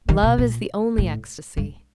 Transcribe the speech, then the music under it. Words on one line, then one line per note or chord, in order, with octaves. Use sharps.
Love is the only ecstasy.
D#3
B2
A#2
A2
G2